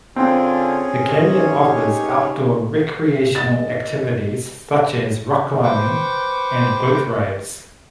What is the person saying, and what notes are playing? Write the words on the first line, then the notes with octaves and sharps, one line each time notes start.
The canyon offers outdoor recreational activities such as rock climbing and boat rides.
D3 C4 C#4 F4 G#4
D#4 G4 C#5
D#5 A6
B4 C5 G5 C#6 D6